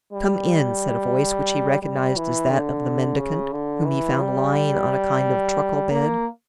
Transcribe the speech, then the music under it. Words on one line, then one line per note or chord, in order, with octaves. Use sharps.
"Come in," said a voice which he recognized as that of the mendicant, whom he found lying on a kind of truckle bed.
G3
G3
E3
D3
C#3
D3
E3
G3
A#3